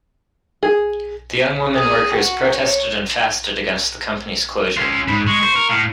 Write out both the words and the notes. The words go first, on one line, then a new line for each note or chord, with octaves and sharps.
The young women workers protested and fasted against the company's closure.
G#4
G#4
F#4
C#5
C#4 F4
G#2 B5
G#3 C#6
C5
A#4
A2 F5